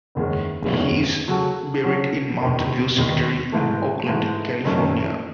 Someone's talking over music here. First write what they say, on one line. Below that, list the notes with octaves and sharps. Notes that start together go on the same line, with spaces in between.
He is buried in Mountain View Cemetery in Oakland, California.
F#1 E2 D#3 G#3 C#4
F#1 E2 D#3 G#3 C#4
C#3 F#3 C#4 F#4 A4
C#3 F#3 C#4 F#4 A4
E1 D#2 D#3
E1 D#2 D#3
G#2 E3 A3
G#2 E3 A3
F#1 F#2 D#3 A3 C#4